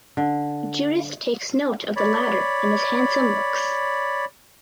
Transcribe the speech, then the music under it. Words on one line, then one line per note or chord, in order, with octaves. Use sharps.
Judith takes note of the latter and his handsome looks.
D3
C#5 D5 B5